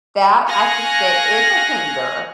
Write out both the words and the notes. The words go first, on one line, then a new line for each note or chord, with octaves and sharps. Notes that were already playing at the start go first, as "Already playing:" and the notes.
that, I could say, is a hinder
F5 G#5 C#6 F#6 A#6